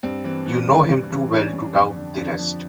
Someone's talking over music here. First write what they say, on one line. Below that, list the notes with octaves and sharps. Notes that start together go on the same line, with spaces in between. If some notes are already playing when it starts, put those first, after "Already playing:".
You know him too well to doubt the rest.
G2 C4
E3 C4
E3
G2
G2
E3
E3 D4
C#4
G2
D4
F2
D3
F2 D4
F3